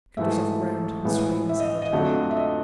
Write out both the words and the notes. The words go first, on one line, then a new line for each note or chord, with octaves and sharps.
Kutuzov groaned and swayed his head.
G#2 E3 A3 E5
A2 E3 G#3 B3
E5
D#5
D#5
F2 D3 F#3 A3
E5
D#5